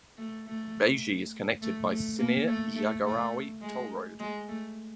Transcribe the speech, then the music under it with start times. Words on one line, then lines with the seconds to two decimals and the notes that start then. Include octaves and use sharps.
Beji is connected by Cinere–Jagorawi Toll Road.
0.18 A3
0.47 A3
1.62 A3
1.90 A3
2.19 A#3
2.47 A3
2.76 A3
3.05 A3
3.62 G#3
4.19 G#3
4.48 A3